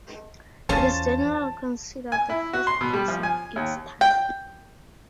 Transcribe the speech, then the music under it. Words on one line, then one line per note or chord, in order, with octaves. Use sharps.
It is generally considered the first case of its type.
E2 F3 C#4 C5 A5 A6
G#5
E4
F#4
C6
B2
G3
F3
G#5
D#2
G5